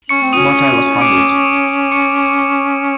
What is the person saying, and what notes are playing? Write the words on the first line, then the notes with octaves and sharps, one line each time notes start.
But I was puzzled.
C#4 C#6 C#7
C4
C#4 D#6 D#7
D6 D7
C#6 C#7